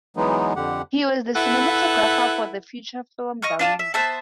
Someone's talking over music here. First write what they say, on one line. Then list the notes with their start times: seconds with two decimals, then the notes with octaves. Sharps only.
He was the cinematographer for the feature film Diwali.
0.17 E3 F#3 G#3 B3 D#4
0.56 F2 D3 G4 F#5
1.35 E4 A4 B4 E5 F#5
3.42 D#5 C#6 F6
3.59 D4 F4 A5
3.79 E5
3.94 B3 C5 E5 A5